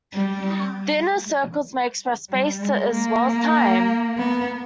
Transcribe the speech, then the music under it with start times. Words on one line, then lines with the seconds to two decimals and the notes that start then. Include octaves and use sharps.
The inner circles may express space as well as time.
0.14 G3
2.31 G3
2.63 G#3
2.94 A#3
4.17 B3